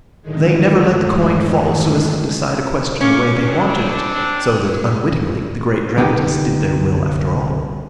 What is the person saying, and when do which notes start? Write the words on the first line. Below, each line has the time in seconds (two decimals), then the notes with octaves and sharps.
They never let the coin fall so as to decide a question the way they wanted it, so that unwittingly the great dramatist did their will after all.
0.22 F#2 A2 D3 D#3 G#3
3.01 C#4 F5 C#6 D6
3.46 C4 D4
5.97 C2 D3 B3 D#4 G4